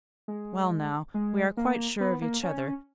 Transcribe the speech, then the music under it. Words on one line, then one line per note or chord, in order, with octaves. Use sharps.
'Well now, we are quite sure of each other.
G#3
G#3
A#3
B3
A#3
C#4